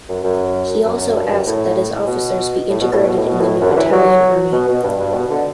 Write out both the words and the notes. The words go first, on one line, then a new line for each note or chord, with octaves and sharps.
He also asked that his officers be integrated in the new Italian Army.
F#2
F#2
F#2
F#2
G2
F#2
A2
B2
A2
B2
A2
B2
A2
B2
A2
F#2
D3
E3
F#3
B2
B2
G2
G2
B2
D3